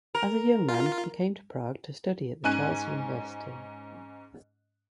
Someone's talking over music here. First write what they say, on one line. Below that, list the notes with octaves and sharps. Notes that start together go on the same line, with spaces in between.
As a young man he came to Prague to study at the Charles University.
A#4
F4
G#2 C#4 G#5 F#6 D#7